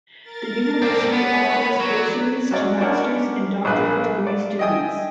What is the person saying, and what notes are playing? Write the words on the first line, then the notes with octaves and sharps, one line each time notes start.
The university offers bursaries to master's and doctoral degree students.
A#4 A6
C4 D4
B3 C#5 B5
F#3 D5
F#3 G#3 C#4 D5
C#4 D4 A#4 C#5 F#5
A#1 G#4 B4 F5
D5
D#5 E5 G5 G#5 D#6